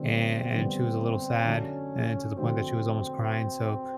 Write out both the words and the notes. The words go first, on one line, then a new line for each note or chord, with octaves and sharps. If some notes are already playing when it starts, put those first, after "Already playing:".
an and she was a little sad and to the point that she was almost crying. So,
Already playing: D3 G3 B3 C4
D3 G3 B3
D3 F#3 A3 C#4 D4 F#4
D3 F#3 A3 C4 D4 F#4